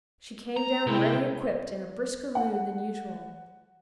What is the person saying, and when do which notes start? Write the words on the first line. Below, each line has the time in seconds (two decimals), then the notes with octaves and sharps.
She came down ready equipped, in a brisker mood than usual.
0.57 A#5
0.87 C3 G#3 E4 G5
2.35 F#5